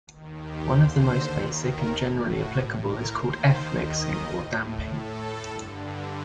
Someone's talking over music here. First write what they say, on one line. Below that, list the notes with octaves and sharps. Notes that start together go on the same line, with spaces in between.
One of the most basic and generally applicable is called "F-mixing" or damping.
D#2 D#3
G4
D#2 D3 C5
D#2 D#3
A#4
A2 A4
F#4
A2 G4
A#4
D#2 D#3 C5
D#2 D#3 D#5
A2 C5
A2 A4
G2 D3